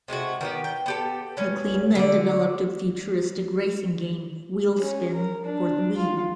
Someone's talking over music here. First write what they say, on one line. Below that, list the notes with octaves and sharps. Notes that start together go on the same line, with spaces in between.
MacLean then developed a futuristic racing game, "WheelSpin", for the Wii.
C3 G#3 A3 F#4
D#3 B3 G4
G5
B3 G4 A4
B3 C#4
D3 D5
C#4
A#4
D4
F4